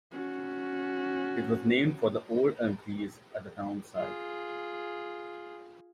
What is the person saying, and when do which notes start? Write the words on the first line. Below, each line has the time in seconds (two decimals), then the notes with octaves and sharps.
It was named for the old elm trees at the town site.
0.13 C#4 F#4
3.96 F4 G#4